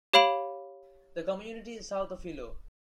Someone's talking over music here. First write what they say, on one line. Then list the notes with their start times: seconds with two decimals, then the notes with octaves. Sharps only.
The community is south of Hilo.
0.13 G4 C#5 F5 B5 D7 F#7